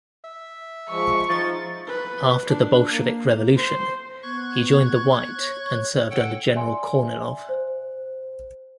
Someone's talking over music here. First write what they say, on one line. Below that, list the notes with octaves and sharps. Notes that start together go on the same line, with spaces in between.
After the Bolshevik Revolution he joined the White and served under general Kornilov.
E5
F3 G#3 C#6
F3 D#4 A6
B4
D4
A#3
C5
B3 C#6 F#6 G#6
C#5
A4 F#5 G5
D5 E5 G#5 C6
C5